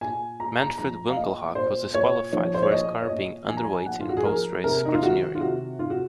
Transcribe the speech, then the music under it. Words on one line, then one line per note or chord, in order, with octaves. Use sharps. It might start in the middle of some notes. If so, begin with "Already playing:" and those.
Manfred Winkelhock was disqualified for his car being underweight in post-race scrutineering.
A#2 G#5
A#2 A#5
A#5
F3 A#5
F5
A#2 D#5
A#2 C5
A#2 C#5
F3 C#5
C5
C#5
A#2 D#5
C#5
A#2 D#5
F3 G#5
A#5
G#5
A#2 F#5
F4
F#4
G#4
F3 A#4
C3 A#4
D#4
F4
D#3 F#4
F4
C3 F#4
C3 F4
F#4